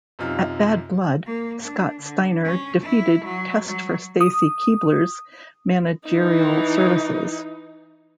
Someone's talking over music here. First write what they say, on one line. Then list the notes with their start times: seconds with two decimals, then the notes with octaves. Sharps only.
At Bad Blood, Scott Steiner defeated Test for Stacy Keibler's managerial services.
0.19 F#2 C3 D#4 F4
1.26 A#3
1.62 D4
2.01 D3
2.45 C#4
2.83 E4
3.25 F#3
3.66 F#3
4.21 D#6
6.08 E3 D#4